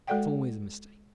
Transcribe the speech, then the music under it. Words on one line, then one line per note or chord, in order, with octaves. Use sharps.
That's always a mistake.
G#3 F#4 A4 D5 F#5 G5